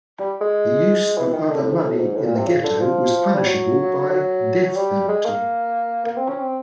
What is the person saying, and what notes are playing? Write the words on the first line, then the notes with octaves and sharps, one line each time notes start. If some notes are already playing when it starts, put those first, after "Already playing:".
The use of other money in the Ghetto was punishable by death penalty.
G3
G#3
E3
D#3
D3
A2
G#2
A2
G#2
A2
A#2
C3
C#3
D3
F3
G3
F#3
F#3
G3
G#3
A#3
A#3
C4
C#4
C4